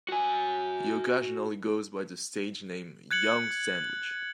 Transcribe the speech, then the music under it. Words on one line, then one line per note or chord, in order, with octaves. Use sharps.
He occasionally goes by the stage name Young Sandwich.
F#4 G#5
F#6 G#6 C#7 F#7